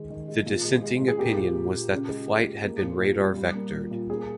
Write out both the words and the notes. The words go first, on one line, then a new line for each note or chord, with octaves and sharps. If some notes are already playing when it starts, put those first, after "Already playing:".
The dissenting opinion was that the flight had been radar vectored.
Already playing: D#3 G#3
D#3
G#3
A#2
G#3
G#3
A#2
G#4
A#3 G4
A#2
A#2
A#2
C#3
G#3
G#3
G#3
A#3
A#2
A#2
G3
G3
A#3
A#2
A#2
A#3 G#4